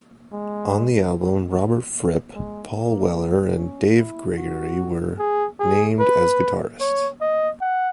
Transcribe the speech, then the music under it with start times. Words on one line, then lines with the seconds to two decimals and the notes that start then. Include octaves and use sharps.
On the album, Robert Fripp, Paul Weller, and Dave Gregory were named as guitarists.
0.32 G#3
2.35 G#3
2.76 A#3
3.56 C#4
3.98 E4
4.37 F#4
5.19 G#4
5.59 G#4
6.00 B4
6.80 C#5
7.21 D#5
7.61 F#5